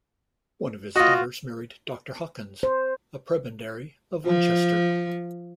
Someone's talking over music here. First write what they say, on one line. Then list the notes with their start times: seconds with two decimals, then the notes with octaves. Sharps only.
One of his daughters married Doctor Hawkins, a prebendary of Winchester.
0.96 F4 F#4 D#5
2.63 C5
4.26 F3